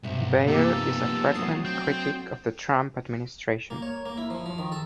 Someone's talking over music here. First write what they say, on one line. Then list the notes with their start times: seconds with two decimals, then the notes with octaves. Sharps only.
Beyer is a frequent critic of the Trump administration.
0.03 B1 G2 C3 E5
0.48 F3 A#3 B3 D#4 G4 A4
1.34 F#3 A3 D4 D#6 A6 C7
1.65 C4 G5
3.70 A#3
3.82 C#5
4.06 A#3
4.18 E4
4.30 F3
4.46 F3
4.58 D#3
4.72 A4